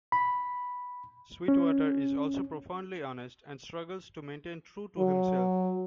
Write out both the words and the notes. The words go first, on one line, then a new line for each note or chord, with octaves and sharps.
Sweetwater is also profoundly honest and struggles to maintain true to himself.
B5
C#4
F#3